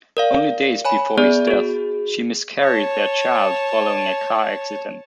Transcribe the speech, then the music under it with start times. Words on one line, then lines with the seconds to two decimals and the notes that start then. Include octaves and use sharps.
Only days before his death, she miscarried their child following a car accident.
0.17 A#4 D5 F5
0.85 C#5 G#5 B5
1.17 B3 G#4 D5
1.47 F#4 G#4
2.60 C#5 A5